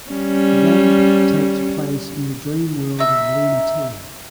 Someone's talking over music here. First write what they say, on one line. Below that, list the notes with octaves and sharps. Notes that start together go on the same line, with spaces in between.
The game takes place in the dream world of Lunatea.
G3 C#4
D#4 E5